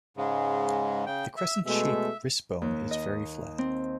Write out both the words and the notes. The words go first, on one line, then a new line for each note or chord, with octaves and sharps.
The crescent-shaped wrist bone is very flat.
G#2 C#3 G#3
C#3 G5
E5
B2 G#3 A3 E5
D#2
D#5
C4